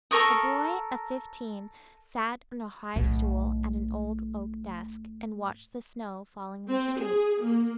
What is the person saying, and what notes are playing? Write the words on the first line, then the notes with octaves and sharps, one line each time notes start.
A boy of fifteen sat on a high stool at an old oak desk, and watched the snow falling in the street.
A4 A#4 C#6 D#6
B1 A2
C4
G#4
A#3